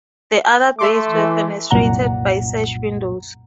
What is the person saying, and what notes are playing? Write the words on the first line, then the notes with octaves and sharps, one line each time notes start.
The other bays were fenestrated by sash windows.
A3 E5 C6 D6
E3
C2 F#2 A#2 F#5 A#5